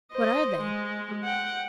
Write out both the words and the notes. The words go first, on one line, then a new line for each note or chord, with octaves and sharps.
"What are they?"
C5 D#5
G#3
F#5 G5